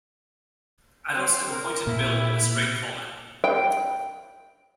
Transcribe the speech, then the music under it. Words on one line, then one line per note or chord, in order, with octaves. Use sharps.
Adults have a pointed bill with a straight culmen.
C4
A#4
A#2 E4
G5